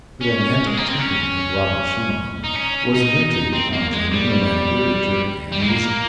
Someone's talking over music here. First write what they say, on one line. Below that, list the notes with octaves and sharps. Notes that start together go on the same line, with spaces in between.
The romantic temperament of Robert Schumann was nurtured on German romantic literature and music.
C#4
G#3
A#3
C4
C#4
D#4
C#4
D#4
D#4
C4
A#3
G#3
G3
G3
G#3
A#3